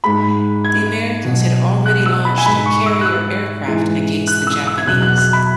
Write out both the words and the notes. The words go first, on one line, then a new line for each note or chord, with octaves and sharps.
The Americans had already launched their carrier aircraft against the Japanese.
G#2 G#3 B5
G#6
B2 F#3
F#6
E6
B5
G#5
G#2 G#3 B5
C#6
E6
F#6
E6
G#2 E3 G#3
F#6
E6
E6
G#6
E2 B2 F#3 F#6
F#6
F#6
B5